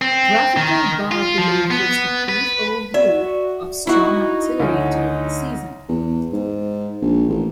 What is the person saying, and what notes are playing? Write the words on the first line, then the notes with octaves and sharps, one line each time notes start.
The graphical bar below gives a brief overview of storm activity during the season.
C4
D#3
F4
F3
B3
B4
F#4 D5 E5
D#4 E4 F#4
D2 C#4
E2
G#2
A#1
A1